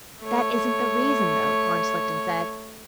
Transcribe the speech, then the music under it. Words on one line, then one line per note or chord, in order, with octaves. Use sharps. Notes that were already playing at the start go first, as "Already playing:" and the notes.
"That isn't the reason, though," von Schlichten said.
A3 C#5